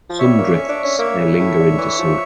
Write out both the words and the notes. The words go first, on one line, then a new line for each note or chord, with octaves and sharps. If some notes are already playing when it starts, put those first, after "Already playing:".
Some drifts may linger into summer.
F3
G3 C#5 E5
A#3
C#4
D4
C#4
A#3 C#5 E5
C#3
A2
D3
E3
F3